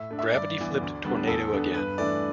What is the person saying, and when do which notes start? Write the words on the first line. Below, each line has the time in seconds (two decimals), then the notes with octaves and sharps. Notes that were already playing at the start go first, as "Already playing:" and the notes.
Gravity flipped Tornado again.
Already playing: A2 E5
0.11 A3 D4
0.19 E5
0.34 G2 D5
0.58 E3 B3
0.81 D2
1.05 D3 G3 B3 D4
1.27 E2 A4
1.51 D3 B3 D4
1.74 G2 B4
1.98 E3 A3 D4 D5